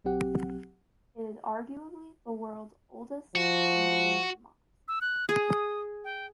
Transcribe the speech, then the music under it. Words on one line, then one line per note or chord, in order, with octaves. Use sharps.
It is arguably the world's oldest assembly democracy.
B1 F#3 C4 G4 F#5
F3 F#4
E6
F#6
G#4 D#6
G5